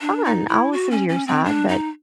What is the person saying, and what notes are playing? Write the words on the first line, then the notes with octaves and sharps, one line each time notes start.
fine, I'll listen to your side, but
D4
D#4
E4
F#4
C#4
C#4
C4
D4
D#4